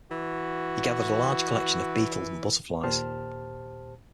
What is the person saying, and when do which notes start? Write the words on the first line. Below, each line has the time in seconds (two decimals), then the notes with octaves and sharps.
He gathered a large collection of beetle and butterflies.
0.11 E3 F#4
2.83 D#2 A#2 G4 C5 A5 F6